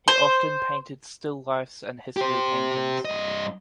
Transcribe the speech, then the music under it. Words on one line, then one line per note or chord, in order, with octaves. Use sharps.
He often painted still lifes and history paintings.
C5
G4 C5
G2 D#5